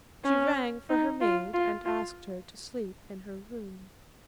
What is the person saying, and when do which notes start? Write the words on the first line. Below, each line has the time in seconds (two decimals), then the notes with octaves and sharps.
She rang for her maid and asked her to sleep in her room.
0.24 C#4
0.89 D#4
1.21 F4
1.54 F4
1.85 F4